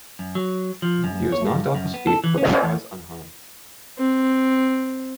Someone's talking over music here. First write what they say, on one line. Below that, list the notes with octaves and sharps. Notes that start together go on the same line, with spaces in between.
He was knocked off his feet, but otherwise unharmed.
F#2
F#3
F3
F#2
C#5
G2
F#2
B3
A4
E3
C#4
E2
C4